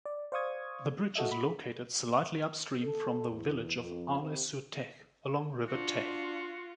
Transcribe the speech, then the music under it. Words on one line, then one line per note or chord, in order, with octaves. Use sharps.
The bridge is located slightly upstream from the village of Arles-sur-Tech, along River Tech.
D5
C5 D5 F5 C#6 D#6 G#6
F#4 A4 D#5 E5
B5
A4
E2
F2
C3
D4 F4 F#4